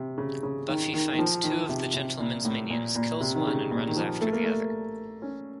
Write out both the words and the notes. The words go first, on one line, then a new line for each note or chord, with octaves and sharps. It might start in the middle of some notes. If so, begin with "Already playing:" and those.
Buffy finds two of The Gentlemen's minions, kills one and runs after the other.
Already playing: C3
C#3
C#3
D#3
D#3
D#3
F3
D#3
C3
C3
A#2
A2
A#2
A#2
C3
D#3
C#3
A#2
D#3
F3
A3
A#3
A3
C#4